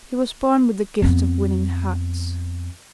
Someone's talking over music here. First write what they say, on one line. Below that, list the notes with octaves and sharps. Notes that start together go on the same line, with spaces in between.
He was born with the gift of winning hearts.
F2 B3